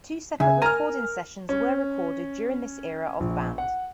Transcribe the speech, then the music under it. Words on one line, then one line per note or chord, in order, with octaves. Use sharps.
Two separate recording sessions were recorded during this era of the band.
C#3 E5 G#5
A#4 G#5 A#5 F6
C#4
A#1
F#5